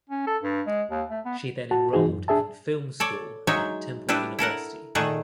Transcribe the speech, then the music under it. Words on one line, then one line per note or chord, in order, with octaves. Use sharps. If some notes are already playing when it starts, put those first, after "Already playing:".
She then enrolled in film school at Temple University.
C#4
A4
G2
G#3
D#2
A3
B3
F#4 A5
G#2 E3 D#4 F#4 G#4
F#2
D4 G#4 E5 A5
A4 C#5 D5
F#3 G#3 D#4 C#5 E5
G3 D4 E4 A4 B4
E4 A4 A#4 F#5
A#2 D#3 A3 G#4 F#5